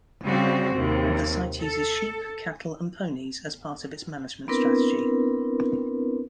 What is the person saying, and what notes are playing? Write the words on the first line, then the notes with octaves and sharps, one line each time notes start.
The site uses sheep, cattle and ponies as part of its management strategy.
C#3 G3 C4 F#4
D#2 C3
A4
B3 C4 D4 E4 A#4 B4